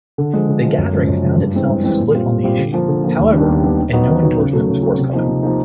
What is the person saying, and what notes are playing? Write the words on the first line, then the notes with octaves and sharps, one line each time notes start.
The gathering found itself split on the issue, however, and no endorsement was forthcoming.
D3
F3 G#3
D3
F3 G#3
F#2
C#3 F3 G#3
F#2
C#3 F3 G#3
G2
E3 G#3 C4
G2
E3 G#3 C4
A#2
G3 C4 F4
A#2
G3 C4 F4
D3
F3 A#3
D3
F3 A#3
D#2
D#3 G3 B3 D4
D#2
D#3 G3 B3 D4
D#3
F#3 B3 D#4 F#4
D#3
F#3 B3 D#4 F#4
C#3
F#3 A3
C#3
F#3 A3
C3
F3 A#3 D#4
C3
F3 A#3 D#4